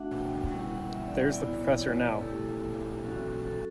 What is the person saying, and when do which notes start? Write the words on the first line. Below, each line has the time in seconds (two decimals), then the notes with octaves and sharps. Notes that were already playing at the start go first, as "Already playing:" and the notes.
There's the professor now.
Already playing: A3 D4 F#4 E5 F#5
0.19 G5
0.47 G3 C#4 E4 F#5
0.69 F#5
0.90 E5
1.06 D5
1.12 E5
1.33 B3 E4 D5
1.61 C#5
1.89 B4
2.18 A3 E4 A4
2.28 G4
2.38 A4
3.03 F#3 C#4 F#4 A4
3.46 A4